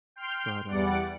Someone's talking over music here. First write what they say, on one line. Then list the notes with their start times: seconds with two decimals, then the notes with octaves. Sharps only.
But, um
0.16 G5 C6 F6 G6
0.66 E2 G3 D5 F#5 D7